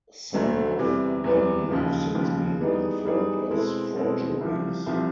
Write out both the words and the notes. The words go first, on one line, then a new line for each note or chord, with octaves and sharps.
Some of them have since been confirmed as forgeries.
D2 D3 F#3 A3
E2 C3 E3 G3
E2 C3 E3 G3
D#2 C#3 F3
D#2 C#3 F3
E3 G3 B3 D#4 G#4
E3 G3 B3 D#4 G#4
B2 G#3 C4 E4 A4
B2 G#3 C4 E4 A4
C2 C3 F3
C2 C3 F3